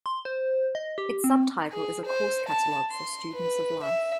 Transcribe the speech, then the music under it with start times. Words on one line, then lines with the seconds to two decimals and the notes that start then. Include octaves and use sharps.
Its subtitle is A Course Catalog for Students of Life.
0.06 C6
0.25 C5
0.75 D#5
0.98 G4
1.24 C4
1.72 G#4
2.05 C5
2.49 A5
2.91 C6
3.34 B4
3.84 E5